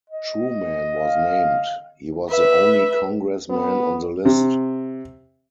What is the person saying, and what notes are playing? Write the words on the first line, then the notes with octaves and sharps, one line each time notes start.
Truman was named; he was the only congressman on the list.
D#5
F5
B4 E5
B3
C3